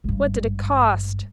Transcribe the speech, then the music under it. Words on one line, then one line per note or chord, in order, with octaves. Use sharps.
"What did it cost?"
G#1 G2